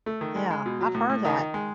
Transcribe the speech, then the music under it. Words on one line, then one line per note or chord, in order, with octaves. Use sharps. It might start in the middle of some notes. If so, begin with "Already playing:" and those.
Yeah, I've heard that,
A3
D#3
G#3
G#3
B2
F#3
A2
A2
D#3 D#4
D#3
G#3